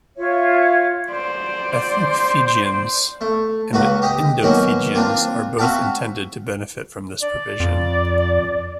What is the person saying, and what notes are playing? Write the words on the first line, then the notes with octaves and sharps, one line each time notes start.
Ethnic Fijians and Indo-Fijians are both intended to benefit from this provision.
F4 C#5 E5
C5 D5
A3
C#2 A#3 F#4 B4 C#6
G4 D#5 G5
D#3 F#3 A#3 B3 C#4
A#3 C4 D4 F4 C5
C4 F#4 E5 F5 G5 A5
D5
F2